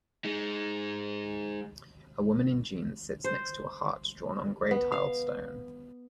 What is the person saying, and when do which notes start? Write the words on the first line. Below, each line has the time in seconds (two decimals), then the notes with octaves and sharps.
A woman in jeans sits next to a heart drawn on gray tiled stone.
0.25 G#3 D#4
3.24 C5
4.71 B3
4.92 F5